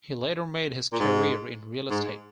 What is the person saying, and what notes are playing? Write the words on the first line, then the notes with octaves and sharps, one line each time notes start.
He later made his career in real estate.
A#2
G#2
G#2